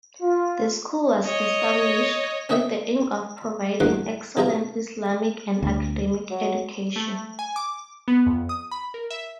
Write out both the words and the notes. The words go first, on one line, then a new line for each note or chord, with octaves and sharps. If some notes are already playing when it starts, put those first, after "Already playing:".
The School was established with the aim of providing excellent Islamic and academic education.
F4
C#5 D#5
C4 C#4 D#5 E5 G5 G#5
A#1 E2 G2 F#5 C6 D6
B1 C3 D#4 F4 G#4 A#5
D2
F#3
A3
G#5
D6
B3
F2
D#6
B5
A#4
E5